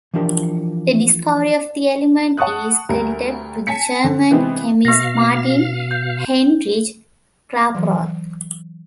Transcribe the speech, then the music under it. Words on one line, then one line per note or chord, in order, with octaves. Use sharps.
The discovery of the element is credited to the German chemist Martin Heinrich Klaproth.
E3 F3 D4 G4 A#4
F#5 A5 C#6 D#6 F#6
D2 G3 A#4
G#5 A5 B6 C#7
D3
C3 E3 G#3 B3 C4
B2 B3 F5 A#6
G6
E3 F#3